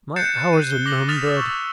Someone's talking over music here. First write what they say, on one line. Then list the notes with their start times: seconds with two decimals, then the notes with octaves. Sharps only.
My hours are numbered.
0.16 F#6 G6 A6 C7 C#7 E7
0.53 D#7
0.70 G7
0.86 D6 A#6 C#7 F#7
1.08 D#6 F6 A6 B6 E7 F7
1.34 C#6 E6